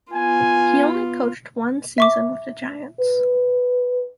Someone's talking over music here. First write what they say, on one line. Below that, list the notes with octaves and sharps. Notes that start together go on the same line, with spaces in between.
He only coached one season with the Giants.
B3 F4 G#5
E5 C#6 D6
B4